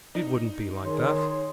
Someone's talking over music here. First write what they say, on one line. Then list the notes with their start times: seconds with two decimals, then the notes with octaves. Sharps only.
"It wouldn't be like that."
0.15 D#4
0.84 D#3 G#4 C#5 C6